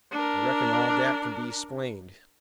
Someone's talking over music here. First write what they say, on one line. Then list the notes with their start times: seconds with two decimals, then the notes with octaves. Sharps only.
"I reckon all dat kin be 'splained."
0.11 D4 A#4